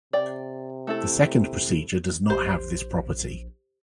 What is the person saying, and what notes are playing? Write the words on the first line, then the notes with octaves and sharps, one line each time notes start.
The second procedure does not have this property.
C3 D5 G5
A3 E4 A4
A#1 G4 C5